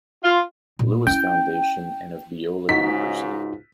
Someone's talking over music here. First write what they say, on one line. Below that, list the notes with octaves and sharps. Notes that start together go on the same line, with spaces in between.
Lewis Foundation and of Biola University.
F4
A#2
C#4 E4 G5
C#2 G#2 D#4 F#4 B6